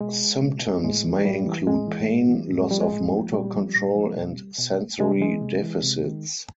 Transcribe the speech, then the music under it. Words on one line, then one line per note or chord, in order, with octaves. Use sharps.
Symptoms may include pain, loss of motor control, and sensory deficits.
B2 G#3
B2
A2 G#3
E3
A2 G3
E3
A2 G#3
E3
A2
E3
A2
G#3
F3 G3
G#3
A2
F3
A#2 G3
F3
A#2
F3
B2
B2
C3 G#3
G3
E3 G#3
C3
E3
C3
D#3